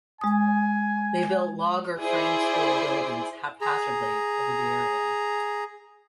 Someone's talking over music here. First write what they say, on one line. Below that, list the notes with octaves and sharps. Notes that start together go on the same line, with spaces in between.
They built log or frame school buildings haphazardly over the area.
G#3 G#5 D#6
E4 G#4 C5 D5
G#4 A#5